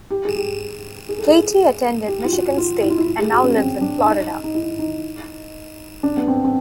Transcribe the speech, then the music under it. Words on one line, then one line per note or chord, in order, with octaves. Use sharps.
Katie attended Michigan State and now lives in Florida.
G4
G#4
G4
G#4
A4
G#4
G4
F4
F#4
F4
E4
F4
E4
G#4
F#4
C#4
C4
D4
D#4
D#4
D#4
E4
D#4
D4
B3
C4
C4